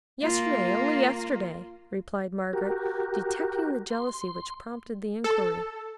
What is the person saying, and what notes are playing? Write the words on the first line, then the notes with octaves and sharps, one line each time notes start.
'Yesterday, only yesterday,' replied Margaret, detecting the jealousy which prompted the inquiry.
A#3 F4
F#4 G4 A#4
C6
A4